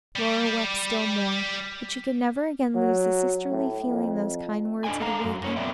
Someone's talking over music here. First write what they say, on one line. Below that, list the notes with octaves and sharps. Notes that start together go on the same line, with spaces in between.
Laura wept still more; but she could never again lose the sisterly feeling those kind words had awakened.
G3 G4
F#3
A2
F2
D4 A4 D#5 G5 G#5
A4 F5 A#5
F#2
A#3 C#4
A3 B3 C4 D5 E5 G5